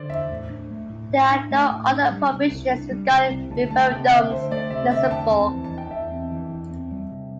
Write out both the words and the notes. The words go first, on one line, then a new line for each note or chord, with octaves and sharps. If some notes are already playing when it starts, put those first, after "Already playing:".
There are no other provisions regarding referendums in Luxembourg.
Already playing: D3 C5 D5
E2 E5
A2
D4
A3
A2
A2
D4
A3
A2
D4
G3
C3
C2
D4
G3
C3
C2
D2 A5
A3 A5
C3 G5
D2 E5
D2 C5
A3 D5
C3 E5
D2 E5
G5
E2 A5
C4
E3
A5
E2
G5
E2 E5
C4
E3
E2
C4
G3
C3